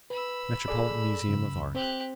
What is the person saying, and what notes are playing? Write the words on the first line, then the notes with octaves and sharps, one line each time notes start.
Metropolitan Museum of Art.
B4 B5 E6
G#4 A4 D5
F#2 C#3
C4 G4 C5 F#6